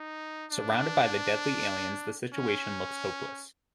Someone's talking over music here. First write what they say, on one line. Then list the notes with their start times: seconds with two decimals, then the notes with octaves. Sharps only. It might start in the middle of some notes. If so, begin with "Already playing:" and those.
Surrounded by the deadly aliens, the situation looks hopeless.
Already playing: D#4
0.51 D4
2.34 C#4